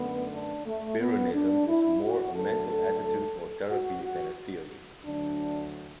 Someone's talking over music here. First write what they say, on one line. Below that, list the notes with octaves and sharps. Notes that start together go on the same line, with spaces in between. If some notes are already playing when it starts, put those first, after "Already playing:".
Pyrrhonism is more a mental attitude or therapy than a theory.
Already playing: F#2 D3 A3 B3
D4
A3
B3
D4
E4
F#4
D2 D3 F#3 A3 A4
F#4
F#4
D2 D3 F#3 D4